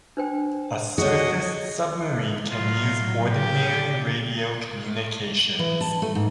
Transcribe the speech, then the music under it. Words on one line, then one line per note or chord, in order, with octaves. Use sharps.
A surfaced submarine can use ordinary radio communications.
D4 C5 G5
F#4 G#4 C#5 D#5
A2 F#3 F4
G4
E3
A5
A3
G#2